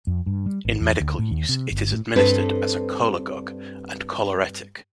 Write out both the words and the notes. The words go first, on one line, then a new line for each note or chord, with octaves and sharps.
In medical use, it is administered as a cholagogue and choleretic.
F2
G2
G3
G#1
E2
D2
A2
D#2
C3
G1
A2
G2 C4 D4 A4 B4